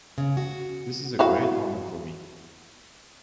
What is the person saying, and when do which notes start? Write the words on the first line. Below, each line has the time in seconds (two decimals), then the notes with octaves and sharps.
This is a great honour for me.
0.18 C#3
0.37 F#4
1.19 E4 F#4 F5